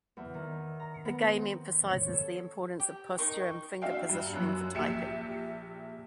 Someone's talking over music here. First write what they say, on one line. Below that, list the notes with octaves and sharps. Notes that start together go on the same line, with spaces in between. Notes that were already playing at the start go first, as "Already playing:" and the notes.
The game emphasizes the importance of posture and finger positioning for typing.
E2
D#3
A#5
B3
C4
C#5
A4
G4
D#4 A#4 C#6
D4 F#4 E5 F5 G5
G2
F#2 F#3 F#6
A#1 G4 E5 C#7 E7